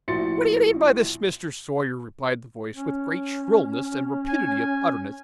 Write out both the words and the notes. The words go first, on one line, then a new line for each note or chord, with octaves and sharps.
'What do you mean by this, Mr. Sawyer?' replied the voice, with great shrillness and rapidity of utterance.
A#1 A2 F#4 C6 A6 C#7
C#4
G#5